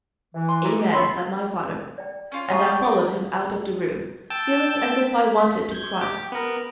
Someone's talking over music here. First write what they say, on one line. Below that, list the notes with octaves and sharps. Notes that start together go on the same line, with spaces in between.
"Amen!" said my father, and I followed him out of the room, feeling as if I wanted to cry.
E3
C6
D#4 E4 D5
G4
C#4 F4 C#5 E5 B5 C6
D5 G5
C#4 F4
F4 G#4 C#5 F#5 A5 A#5 C#6 D#6
D4 G6
D5 D#5
G5 A5 E6
B6
G6 G#6
G4 D6
B3 A#4